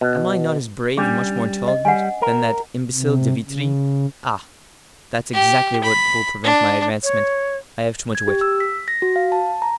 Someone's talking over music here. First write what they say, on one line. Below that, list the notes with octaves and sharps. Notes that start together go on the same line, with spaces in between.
Am I not as brave, and much more intelligent, than that imbecile De Vitry? Ah! that's exactly what will prevent my advancement: I have too much wit.
B2
G3 C#4 D4 D6
D#5
G3 F#5 G#5
A#4
C3
C#3
G4
B5
D4
C#5
G#6
G4
E6
B6
A#6
F#4
F5
A5
A#5